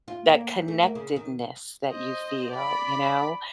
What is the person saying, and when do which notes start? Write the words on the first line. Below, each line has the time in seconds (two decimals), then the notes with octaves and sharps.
that connectedness that you feel, you know?
0.08 F4
0.29 A#3
0.56 D#2
0.68 A3
0.83 A#3
0.95 C#3
1.16 D#3
1.91 C5 D#5
2.51 D5 B5